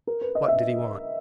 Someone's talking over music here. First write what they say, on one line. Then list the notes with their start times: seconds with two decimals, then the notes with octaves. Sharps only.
What did he want?
0.07 A#4
0.21 B4
0.35 D#5
0.48 E5